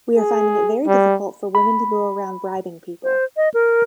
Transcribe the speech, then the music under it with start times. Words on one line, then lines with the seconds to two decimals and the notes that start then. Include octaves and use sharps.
We are finding it very difficult for women to go around bribing people.
0.16 G#4
0.87 G3
1.55 B5
3.03 C5
3.37 D#5
3.54 A#4